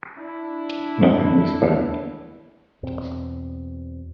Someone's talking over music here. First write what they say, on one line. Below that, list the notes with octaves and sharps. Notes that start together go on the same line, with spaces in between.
Nothing was found.
D4 E4
E2 B2 C4